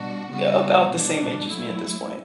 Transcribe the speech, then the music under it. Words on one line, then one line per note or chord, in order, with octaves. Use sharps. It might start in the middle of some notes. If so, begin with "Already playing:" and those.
a about the same age as me at this point.
Already playing: B2 G3 D4 F#4
C#3 G3 B3 F#4
B2 G3 D4
F#3 A3 E4